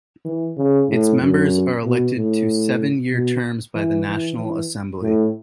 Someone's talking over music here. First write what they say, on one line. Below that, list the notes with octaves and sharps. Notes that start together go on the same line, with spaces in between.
Its members are elected to seven-year terms by the National Assembly.
E3
C#3
A2
F#2
B2
A2
B2
E3
E3
E3
A2